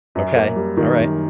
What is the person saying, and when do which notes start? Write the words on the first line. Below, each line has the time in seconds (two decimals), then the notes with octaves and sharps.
Okay. Alright.
0.15 F#2
0.36 A#3
0.56 G3
0.77 D#3
0.98 F#2